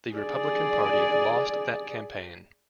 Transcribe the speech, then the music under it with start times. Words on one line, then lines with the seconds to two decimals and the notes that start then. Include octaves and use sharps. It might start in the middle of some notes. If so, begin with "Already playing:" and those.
The Republican Party lost that campaign.
0.13 G#4 D5